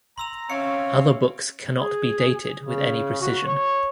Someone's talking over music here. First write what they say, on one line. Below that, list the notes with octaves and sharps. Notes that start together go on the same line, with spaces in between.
Other books cannot be dated with any precision.
A#5 C6 E6 F7
C4 C#4 C#5 E5 F5 C#7
G#4
C#3
F#4
C#5